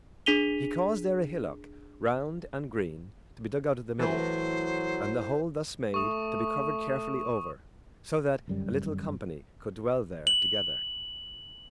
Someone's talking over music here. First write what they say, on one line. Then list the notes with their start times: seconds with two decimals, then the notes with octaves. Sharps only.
He caused there a hillock, round and green, to be dug out of the middle, and the hole thus made to be covered carefully over, so that a little company could dwell there together.
0.26 D4 G#4 B6 D#7 F7 G7
3.99 E3 F#3 E4 A4 C5
5.94 A3 C#6 D#6 E7
8.48 G1 F#2 G3
10.27 F#7